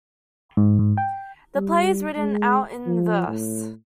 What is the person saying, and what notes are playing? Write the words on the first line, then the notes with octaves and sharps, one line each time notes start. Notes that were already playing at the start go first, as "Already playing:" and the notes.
The play is written out in verse.
G#2
G#2
G5
G3
G#3
F3
A2